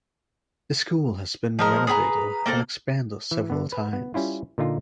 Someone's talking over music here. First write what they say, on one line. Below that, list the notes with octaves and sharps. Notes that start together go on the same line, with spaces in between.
The school has been renovated and expanded several times.
F3 G#3 A#4
G#4 B4 G5 A#5
A#3 C4 A4 A#4
E3
D3 B3
B4
B3
G3 C#4 E4 F4
A#2 D3 D#4 F4